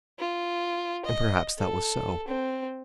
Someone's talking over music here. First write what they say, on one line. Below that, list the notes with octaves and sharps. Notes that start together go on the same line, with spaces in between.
And perhaps that was so.
F4
D#5
A4
C4